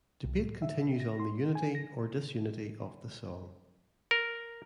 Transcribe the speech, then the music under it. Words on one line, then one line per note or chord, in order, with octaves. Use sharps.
Debate continues on the unity or disunity of the Song.
C2
A2
E5
B2
A#6
C6
G#5
A#6
A#4